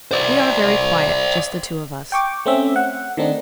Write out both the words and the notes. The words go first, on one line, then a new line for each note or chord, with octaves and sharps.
We are very quiet, just the two of us.
C5 D5
G5 C#6 D6
A3 C4 C#4 E5
F#5
D#3 A3 C4 D4 D#4